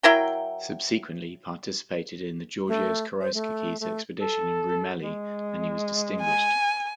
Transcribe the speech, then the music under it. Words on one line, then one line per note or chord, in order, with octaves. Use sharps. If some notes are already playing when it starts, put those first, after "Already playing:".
Subsequently he participated in the Georgios Karaiskakis' expedition in Roumeli and he was distinguished.
F#3 E4 A#4 G5
A3
C5
A3
A3
A4
G#3
G#5